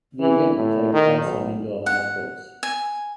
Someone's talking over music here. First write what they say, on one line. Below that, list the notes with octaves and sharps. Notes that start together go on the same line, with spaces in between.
The event will take place on indoor hard courts.
E3
A2
D#3
B1
F#5
G#5